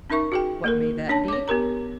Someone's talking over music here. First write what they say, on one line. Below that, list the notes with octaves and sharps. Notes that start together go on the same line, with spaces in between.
What may that be?
C#4 D#4 A#4 E5 C#6
F#4 G#4 G5
A#3 A4 A#4
C#4 D4 C#5 A5
C#5 D6
B3 G4 A#4 A#5